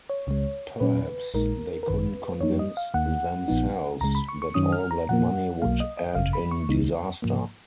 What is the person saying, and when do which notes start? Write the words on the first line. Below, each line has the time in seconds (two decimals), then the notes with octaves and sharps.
Perhaps they couldn't convince themselves that all that money would end in disaster.
0.10 C#5
0.27 C#2 C#3 G#3
0.80 A#2 F#3 C#4 B4
1.34 A#1 A#2 G#3 D#4 A#4
1.83 A#4
1.88 G#1 F#2 D#3 B4
2.41 F2 F3 A#3 D#4 C#5
2.59 D#5
2.77 F5
2.94 D#2 D#3 A#3 F#5
3.48 A#1 A#2 F3 B3 D#4
4.01 C#2 C#3 G#3 A#5
4.15 B5
4.29 C#6
4.42 C#6
4.54 F#2 D#3 F#3 C#4 D#6
4.73 F6
4.91 A#5
5.09 A#2 F3 A#3 F#5
5.62 B1 B2 F#3 A#3 F5
5.80 D#5
5.97 D#5
6.15 G#1 F#2 C#3 F5
6.33 B5
6.51 C#6
6.69 C#2 C#3 G#3 D#4
7.22 G#2 F3 A#3